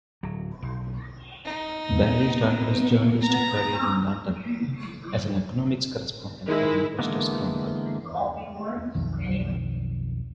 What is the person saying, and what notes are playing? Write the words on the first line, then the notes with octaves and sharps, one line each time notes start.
Barry started his journalistic career in London, as an economics correspondent for Investors Chronicle.
D1 F#3
B1
D#4
A#5
D#3 G#3 E4
D3 E3 G#3 A#3 B3
B1 F2 D#3